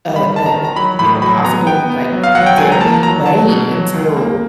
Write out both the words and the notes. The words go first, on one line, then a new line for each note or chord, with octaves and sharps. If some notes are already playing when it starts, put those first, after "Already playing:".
a a a, you know, possible, like, deadly way until,
G3
B5
D#3
A5
A#5
D#3
A#5
F#3 B5
A2 B5
F#3 B5
B3 A#5
B3 G5
B3
F#3
F5
F#3 F#5
G5
C#2 G#5
A#5
A#3 A5
F#3 A#5
F#3 A5
B2
F#3
C#2
A#3